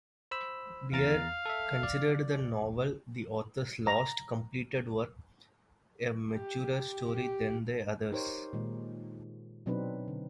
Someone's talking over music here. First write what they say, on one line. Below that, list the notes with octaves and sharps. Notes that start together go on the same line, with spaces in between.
Dear considered the novel-the author's last completed work-a maturer story than the others.
C5 B5 E6
E2 F5 A#5 A6
A4 E5
D5
A#5
G4
G4
D#4 G4 A#4 C5 C#5
A#2 D#3 G#3
B2 F#3 C4 D4 D#4 B4
D3